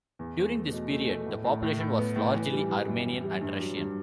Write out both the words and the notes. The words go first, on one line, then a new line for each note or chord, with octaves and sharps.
During this period, the population was largely Armenian and Russian.
E2
E2
A3
B2
A3
A3
A2
A2
A2
A2
B3
A2
E3
G3
E3
F#2
E3
G3
G2
F#3
G2